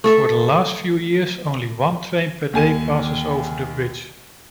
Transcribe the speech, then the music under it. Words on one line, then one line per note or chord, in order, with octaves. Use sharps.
For the last few years only one train per day passed over the bridge.
A3 A4 E5
D#2 G#5 D#7